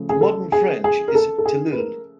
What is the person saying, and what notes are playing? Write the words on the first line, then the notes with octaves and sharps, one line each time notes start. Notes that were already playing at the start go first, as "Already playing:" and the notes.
In Modern French it is "tilleul".
Already playing: C#3 F3 A3
G#4
A4
G#4
G#4
A#4
A4
A4
G#4
B4
A#4